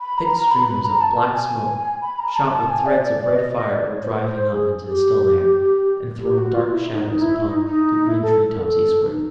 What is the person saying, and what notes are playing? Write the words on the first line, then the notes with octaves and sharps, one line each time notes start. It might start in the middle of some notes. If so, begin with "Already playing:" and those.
Thick streamers of black smoke shot with threads of red fire were driving up into the still air, and throwing dark shadows upon the green treetops eastward.
B5
A#5
A#5
B5
B5
A#5
A5
A5
G#5
B5
A#5
A5
A5
G#5
D5
D5
D5
D#5
D#5
D5
C#5
C5
G#4
G4
G4
F#4
F4
E4
D#4
D#4
E4
E4
D#4
D#4
E4
A4
A#4
A4
D#4